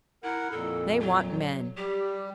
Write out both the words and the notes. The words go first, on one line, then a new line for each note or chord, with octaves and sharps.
They want men.
E4 A#4 F#5
F2 A#2 A4
F#3
G3 G4